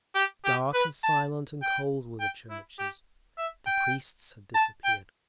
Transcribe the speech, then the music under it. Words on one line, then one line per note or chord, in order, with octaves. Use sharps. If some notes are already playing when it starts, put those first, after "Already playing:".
Dark and silent and cold were the churches; the priests had disappeared.
G4
G4
B4
A5
G5
G5
E4
G4
E5
G5
A5
G5